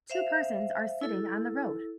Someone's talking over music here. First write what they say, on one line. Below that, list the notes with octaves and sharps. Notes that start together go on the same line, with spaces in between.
Two persons are sitting on the road.
C5 E5 F5
E4 A4